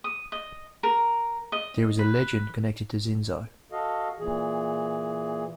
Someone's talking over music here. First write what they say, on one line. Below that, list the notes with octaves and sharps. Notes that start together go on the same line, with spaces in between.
There is a legend connected to Xinzo.
D#6
D#5
A#4
D#5
B4
F#4 A4 D#5 F5
A#2 E3 G#4